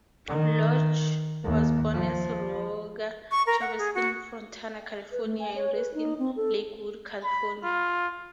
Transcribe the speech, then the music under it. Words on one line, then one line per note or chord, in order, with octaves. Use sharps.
Lodge was born as Roger Chavez in Fontana, California and raised in Lakewood, California.
D#3
D#2
F3
C#6
A#4
F#5
G#4
F#4
B4
A3
G#5
C#5
B4
D#4
C4
A4
B5
F4